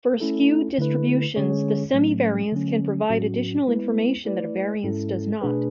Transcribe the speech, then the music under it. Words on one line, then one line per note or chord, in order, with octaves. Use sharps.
For skewed distributions, the semivariance can provide additional information that a variance does not.
A3 C#4 E4 A4
D3 A3 E4 B4
D3 G#3 C#4 G#4 C#5
A2 F#3 A3 C#4
D3 F#3 A3 C#4
A2 F#3 C#4 F#4
G#3 B3 E4 B4
A3 E4 B4 D5
G#2 G#3 C#4 E4 A4
B2 A3 D4 G#4 B4